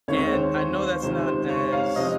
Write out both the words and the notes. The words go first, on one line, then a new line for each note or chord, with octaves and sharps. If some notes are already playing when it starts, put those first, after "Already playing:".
And I know that's not as
D#2 D#3 G#3 C4 C#5
C5
C5
C5
C#2 C3 D#3 C5
C5
C#5
F5
C3 F3 C4 D#5